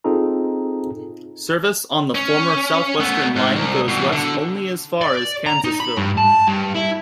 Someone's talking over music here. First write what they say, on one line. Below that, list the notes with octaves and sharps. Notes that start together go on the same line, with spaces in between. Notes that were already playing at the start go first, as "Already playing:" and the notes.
Service on the former Southwestern Line goes west only as far as Kansasville.
C4 D#4 F4 G#4 A4 A#5
C#4
A3 B3
G#2
C2
B2 E3
D3
D5
A#5
D#4
B5
G2
A5
G2
E4